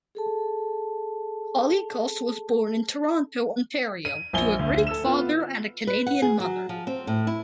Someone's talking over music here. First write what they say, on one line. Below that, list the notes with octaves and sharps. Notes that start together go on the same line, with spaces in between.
Colicos was born in Toronto, Ontario, to a Greek father and a Canadian mother.
G#4 A4 A5
D#7
A#1 G#5 G7
D2
A4 E6 E7
B3 F4
B4
F#5
G#4
F#3
F3
C4
A2
E4